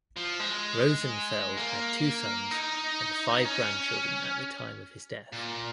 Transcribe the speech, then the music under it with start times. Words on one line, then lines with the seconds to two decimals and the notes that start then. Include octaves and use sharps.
Rosenfeld had two sons and five grandchildren at the time of his death.
0.16 F3
0.40 G#3
1.57 A#3
2.51 D#4
3.45 C#4
5.32 A#2